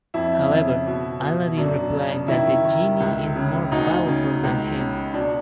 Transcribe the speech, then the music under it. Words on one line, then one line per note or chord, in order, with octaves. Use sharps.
However, Aladdin replies that the Genie is more powerful than him.
F2 E4
C#3
B2
B2
F#2 D4
C#3
D#3 E4
D#3
C#2
C#3
D2 D#4
C#3
C#2
C#3
B2 D4